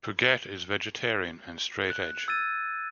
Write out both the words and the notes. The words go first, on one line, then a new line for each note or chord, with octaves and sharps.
Puget is vegetarian and straight edge.
F#6
E6 G#6 A6 D#7